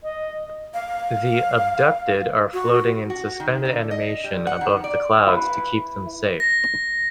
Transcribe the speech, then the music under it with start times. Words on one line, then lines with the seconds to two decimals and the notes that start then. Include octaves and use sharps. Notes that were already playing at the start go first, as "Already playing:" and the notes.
The "abducted" are floating in suspended animation above the clouds to keep them safe.
0.03 D#5
0.74 F5
2.53 F#4
3.10 F#4
3.40 D#3
3.65 D3
3.91 D#5
4.24 G3
4.47 F#5
4.61 D#3
4.84 D5
5.27 E4 B4
6.40 A#6